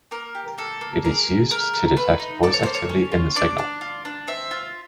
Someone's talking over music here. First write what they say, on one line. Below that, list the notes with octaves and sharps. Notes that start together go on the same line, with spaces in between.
It is used to detect voice activity in the signal.
A#3 A#4
G4
A#3 A4
A#3
G#4 A#4
G#4
A3 A#4
A3
A3 B4
D#4
A4 D5
C#5
A#3 C5
C#5
C#4
F4
D4 D5
D4
F4
D4
C4 E5
F4